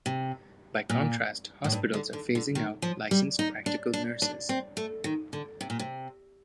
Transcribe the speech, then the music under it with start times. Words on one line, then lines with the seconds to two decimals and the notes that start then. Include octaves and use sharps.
By contrast hospitals are phasing out licensed practical nurses.
0.06 C3
0.89 A#2
1.64 A2
1.72 G2
1.93 D3
2.13 D3
2.35 D3
2.55 D#3
2.82 F3
3.11 G3
3.39 D#4
3.66 D4
3.93 D4
4.22 D4
4.49 C4
4.77 A3
5.04 D#3
5.33 D3
5.61 C3
5.70 A#2
5.79 C3